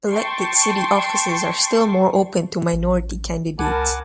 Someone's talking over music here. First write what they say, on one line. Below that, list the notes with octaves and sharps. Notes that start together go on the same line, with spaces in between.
Elected city offices are still more open to minority candidates.
G5 A5 C6 C#6
A1
C#2 A#4 F#5 G#5 A5 B5 D6